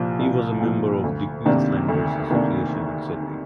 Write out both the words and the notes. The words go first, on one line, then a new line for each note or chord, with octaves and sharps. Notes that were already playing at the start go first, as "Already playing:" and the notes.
He was a member of the Queenslanders' Association in Sydney.
Already playing: C2 A#2 F3
C2
A#2 F3
D2
C3 D#3 A#3 D4
D2
C3 D#3 A#3 D4